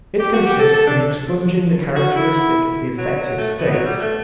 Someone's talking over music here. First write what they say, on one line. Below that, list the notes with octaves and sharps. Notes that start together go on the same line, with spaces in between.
It consists in expunging the characteristic of the affective states.
G4
F#4
G4
A4
A4
D4
F#4
E4
F#3
F#3
A3
B3
F#3
G3
A3